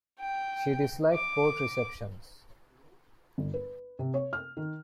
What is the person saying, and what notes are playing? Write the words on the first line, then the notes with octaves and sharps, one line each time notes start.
She disliked court receptions.
G5
D6
G1
B4
C3
C#5
F6
D#3